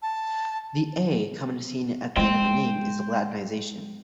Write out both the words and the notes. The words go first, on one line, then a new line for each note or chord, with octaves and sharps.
The "a" commonly seen at the end of her name is a latinisation.
A5
G#3 G5 C6